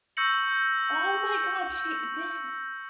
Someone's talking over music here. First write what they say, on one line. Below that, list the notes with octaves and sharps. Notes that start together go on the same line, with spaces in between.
Oh my god, she this is
C#6 E6 G6 A#6 C#7 F#7